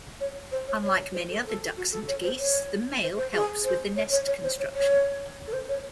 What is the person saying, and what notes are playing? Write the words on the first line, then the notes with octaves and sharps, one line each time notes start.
Unlike many other ducks and geese, the male helps with the nest construction.
C#5
C5
C#5
C#5
C5
A4
A4
F#4
A4
C#5
C5
C#5
C5
C5
G#4
C5
C#5
C#5
C#5
C5
C#5
C#5
A4
C5
C#5